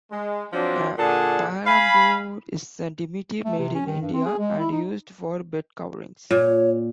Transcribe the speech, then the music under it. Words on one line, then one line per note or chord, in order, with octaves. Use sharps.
A palampore is a dimity made in India and used for bed coverings.
G#3
F3 F#3 C4 D4
A#2 D3 G#4 F#5 A5
F5 G#5 B5
A3
C3
C#4
D#3
G2
C4
G#4
G#3
E4
D#4
A#2 C#5